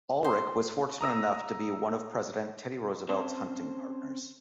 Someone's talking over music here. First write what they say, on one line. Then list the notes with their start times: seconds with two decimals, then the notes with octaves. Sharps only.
Alrich was fortunate enough to be one of President Teddy Roosevelt's hunting partners.
0.24 C5
1.01 A#5 D#6 E6 A#6
3.09 C4 C#4 C5 A5